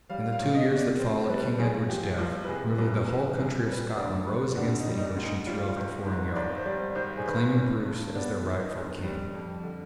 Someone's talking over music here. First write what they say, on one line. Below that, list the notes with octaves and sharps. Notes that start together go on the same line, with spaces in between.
In the two years that followed King Edward's death nearly the whole country of Scotland rose against the English and threw off the foreign yoke, acclaiming Bruce as their rightful king.
G3 F5
F5
B1
D#5
B2
D5
C4
G3 B4
B1 G#4
F3 G4
C2 F4
B4
C3 G#4
C2 B4
F3 B4
C2 G#4
G3 B4
D2 D5
D3 B4
D2 D4
D#4
G3
D#4
D4
D2
D#4
G3 F4
G#1
G#2
G#1 D5
C5
G3 D5
G#1 C5
G#4
D#3 B4
G1
G2
B3 D4
D#3
D#4
G1
G3
F2
D3